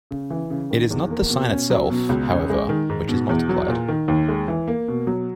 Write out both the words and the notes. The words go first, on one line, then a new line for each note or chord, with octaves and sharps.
It is not the sign itself, however, which has multiplied.
C#3
E3
C#3
D#3
E2
A#3
B2
C#4
F#3
B2
C#2
C#4
G#3
D#3
G#2
B2
E2
F#3
A#2
D#3
D#2
G#3
E3
A#3
B2
F#3